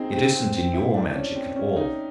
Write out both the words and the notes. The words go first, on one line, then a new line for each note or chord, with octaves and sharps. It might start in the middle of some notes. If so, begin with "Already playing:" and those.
It isn't in your magic at all.
Already playing: C4 D#4 G#4
C4
C4
C4
E4
D4
C#4
C4
C#4
D#4